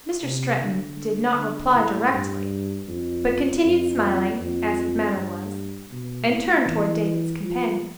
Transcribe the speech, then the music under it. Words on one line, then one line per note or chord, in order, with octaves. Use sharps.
Mr. Stretton did not reply directly, but continued smiling, as his manner was, and turned toward David's companion.
C3
D3
D3
A2
G2
F2
F2
F2
G2
B2
A2
E3
F3